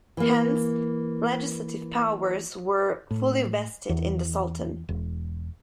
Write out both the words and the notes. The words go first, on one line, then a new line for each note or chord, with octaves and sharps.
Hence, legislative powers were fully vested in the Sultan.
E3 A#3
A2
E2
E1